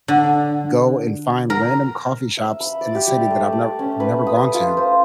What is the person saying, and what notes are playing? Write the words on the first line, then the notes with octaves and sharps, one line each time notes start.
go and find random coffee shops in the city that I've never never gone to, and
D3
A#4
E5
B5
D5
G4
G3
A3
D5
C#4
B4
D#6
F4
C5